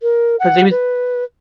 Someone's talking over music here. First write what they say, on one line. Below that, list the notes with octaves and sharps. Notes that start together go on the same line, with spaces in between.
'Cause he was
A#4
F#5
B4